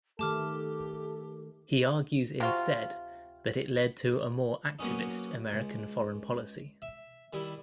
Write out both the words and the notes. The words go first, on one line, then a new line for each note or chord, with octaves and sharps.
He argues instead that it led to a more activist American foreign policy.
D#3 A3 G4 A4 A5 D6 F6
C3 F4 F#4
F#3 A#3 B3 C#4 D#4
C#2
E5
D#3 G3 E4